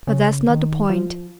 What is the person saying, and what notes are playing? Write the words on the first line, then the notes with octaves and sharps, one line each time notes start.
But that's not the point.
C#3
D#3
F3